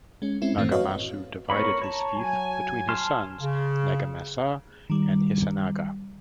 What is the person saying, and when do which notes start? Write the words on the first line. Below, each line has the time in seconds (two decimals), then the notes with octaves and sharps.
Nagamasu divided his fief between his sons Nagamasa and Hisanaga.
0.22 G#3 C#4
0.42 G#3 C4 C#4 E4
0.57 F#2 A2 D#3 E3 A3 C4
0.72 F#4 A4 B4 C#5 D#5 F5
1.50 A2 B3 C4 A#4 C#5 B5
1.82 C#5 A5 A#5
2.15 F#3 G#5
2.89 A5 C6 F6
3.40 C#3
4.90 D#3 G3